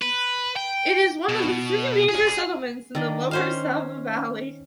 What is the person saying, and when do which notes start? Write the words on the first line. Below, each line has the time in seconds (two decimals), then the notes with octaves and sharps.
It is one of the three major settlements in the Lower Sava Valley.
0.02 B4
0.56 G5
1.29 B2
2.09 G#4
2.95 D#3 D4 D#5
3.31 C#4 C5 F5